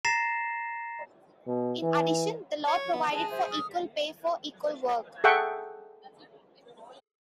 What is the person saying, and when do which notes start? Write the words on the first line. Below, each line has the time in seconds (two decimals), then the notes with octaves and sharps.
In addition, the law provided for equal pay for equal work.
0.05 A#5 A6 A#6 C7 E7
1.47 B2
1.82 E3
2.68 C#5
2.93 B3
3.12 G#4 B4 D#5 A5
3.31 C5 E5
3.50 D#6 F6
5.24 G#4 A4 E5 F#5 G5 C#6